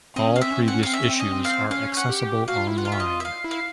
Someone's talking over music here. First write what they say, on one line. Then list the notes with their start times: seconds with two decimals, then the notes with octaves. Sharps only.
All previous issues are accessible online.
0.16 C4 D#5
0.28 C#4
0.36 F5
0.39 C4 E5
0.51 C#4
0.63 C4 F#5
0.74 C#4
0.83 C4 F5
0.93 C#4 E5
1.10 C4
1.20 C#4 D#5
1.32 C4
1.45 F5
1.71 C#4 F5
1.97 F#5
2.09 G4
2.48 F#4 F5
2.58 F4
2.68 E4
2.77 F4 F#5
2.85 F5
2.92 E5
3.00 D#5
3.20 E5
3.25 F5
3.44 E4
3.51 F5